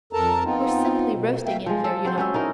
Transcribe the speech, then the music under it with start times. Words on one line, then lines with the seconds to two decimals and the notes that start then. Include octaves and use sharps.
"We're simply roasting in here, you know."
0.13 F2 A4 A#4 A5 A#5
0.44 B3 C4 D#4 F4
1.13 B2
1.46 A3 E5 F5 G5
1.66 F3 G#3
1.84 A4
2.05 F#3 C4 C5
2.18 C#4 C5 E5
2.34 D#4 E4 A#4